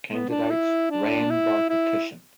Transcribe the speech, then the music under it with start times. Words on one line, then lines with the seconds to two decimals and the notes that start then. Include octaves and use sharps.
Candidates ran by petition.
0.10 B3
0.29 D4
0.50 E4
0.90 D4
1.30 E4
1.69 E4